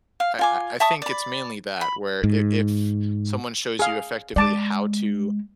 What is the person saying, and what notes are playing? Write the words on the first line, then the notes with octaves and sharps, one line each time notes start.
I I I think it's mainly that, where i if someone shows you effectively how to
F5
F4 G#5 D6
E5 A5 C#6 D#6
D5 B5
B5
G#2
G#4 F5
G#3 D5 A5 D6